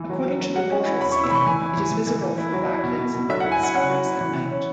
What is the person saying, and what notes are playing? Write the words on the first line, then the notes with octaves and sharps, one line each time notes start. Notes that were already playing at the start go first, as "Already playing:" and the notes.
According to the Bortle scale, it is visible from backlit suburban skies at night.
Already playing: E3
F#3
F#3
F#3
F#3 F#5
C#4
E4
C#4 B5
C#6
E4
E6
E3 B5 C#6
E3 G#5
E4
E3
E3
E3
E3
E4
F#3
E4
B2
B2
B2
F#3 E5
F#5
E4
G#5
E4 F#5
C#4 F#5
F#3
E4
E3
E4
C#4